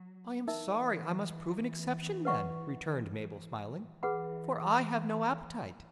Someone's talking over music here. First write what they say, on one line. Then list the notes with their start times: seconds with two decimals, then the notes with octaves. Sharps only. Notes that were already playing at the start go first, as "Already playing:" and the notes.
"I am sorry I must prove an exception, then," returned Mabel, smiling; "for I have no appetite."
Already playing: F#3
0.48 E3 D#4 A#4 E5
2.25 B4 F#5 C#6
3.14 E3
4.03 E3 G#4 B4 F#5 B5